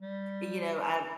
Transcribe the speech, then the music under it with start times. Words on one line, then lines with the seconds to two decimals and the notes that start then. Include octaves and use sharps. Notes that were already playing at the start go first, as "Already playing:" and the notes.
and you know, I
0.01 G3